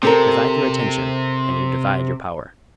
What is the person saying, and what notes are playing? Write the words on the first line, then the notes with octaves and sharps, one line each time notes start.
Divide your attention and you divide your power.
C3 C4 A4 A#4